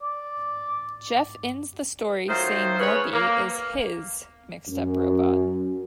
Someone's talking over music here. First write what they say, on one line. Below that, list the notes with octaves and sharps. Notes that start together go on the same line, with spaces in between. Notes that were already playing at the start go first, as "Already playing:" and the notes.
Jeff ends the story saying Norby is "his" Mixed-Up Robot.
D5
D#3 F#3 A3 F4 C5
C#3 B4 C#5
A#3
F#2